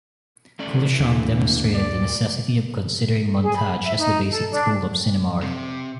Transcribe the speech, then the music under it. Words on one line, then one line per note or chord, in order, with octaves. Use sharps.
Kuleshov demonstrated the necessity of considering montage as the basic tool of cinema art.
E3 A3 C#4 D5
D#2 D3 A#3
A#2 D5
G#4
B5
E5
D#4
A4
D4
C3